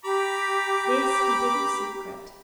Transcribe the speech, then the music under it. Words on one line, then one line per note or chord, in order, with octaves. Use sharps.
This he did in secret.
G4 A#5 B5 D6